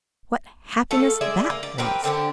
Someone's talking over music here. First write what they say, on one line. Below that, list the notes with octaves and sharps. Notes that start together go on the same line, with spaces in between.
What happiness that was!
A3 F4 A4
G#3 G#4 D5 E5
A#3
D5
C4 G4 A#4 B4
D3 C4 D4 G4